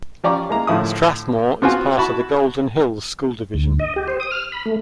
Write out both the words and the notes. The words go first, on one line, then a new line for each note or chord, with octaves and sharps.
Strathmore is part of the Golden Hills School Division.
F3 C#4 G4 D5 A#5 C#6
G#3 A#3 E4 A#5
A2 D3 F3 E4 D#6
B3 C4 F4 F#4 G#5
E4 F#4 A5 B5 C#6
D2
D#5
G4
C5
D#6
F6
B5
A3